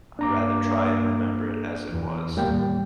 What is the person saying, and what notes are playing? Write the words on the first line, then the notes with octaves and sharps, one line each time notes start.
I'd rather try and remember it as it was.
G2 A#3 D4 A#5 D6
E2
A1 D#2 G3 A#3 G5